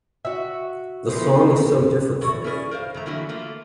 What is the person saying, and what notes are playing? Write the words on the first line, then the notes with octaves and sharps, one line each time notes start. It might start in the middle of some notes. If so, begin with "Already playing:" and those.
The song is so different for me.
F#4 E5
C3 E3 F3 B3 C5
E3 F#4 C#5 D5
C#4 E4 G#4 A#4 C5 D5
A#4 C5 D5 F5
F2 A3 A#5
D3 E3 F#3 A#3 E4 A#4
A3 A#3 F4